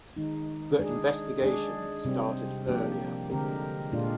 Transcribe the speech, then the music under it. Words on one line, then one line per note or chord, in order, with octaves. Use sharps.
The investigation started earlier.
D#3 G#3 D#4
G#3 D4 G#4
G#3 D4 G#4
C3 G3 C4
F3 A#3 D4 G4
D3 G#3 C4 G4 A#4
A#2 G#3 D4 F4